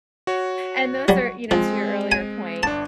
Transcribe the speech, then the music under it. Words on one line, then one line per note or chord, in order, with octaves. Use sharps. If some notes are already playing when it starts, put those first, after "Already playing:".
And those are, you know, to your earlier point,
F#4 C#5
F#3 G3
F3 G#3 C4
G#5
G1 D4 A5